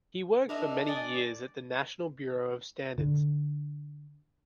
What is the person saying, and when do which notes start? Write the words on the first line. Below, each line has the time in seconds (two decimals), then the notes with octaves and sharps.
He worked for many years at the National Bureau of standards.
0.49 D4 A#4 D#5 E5
0.87 D5 D#5 G#5
2.98 D3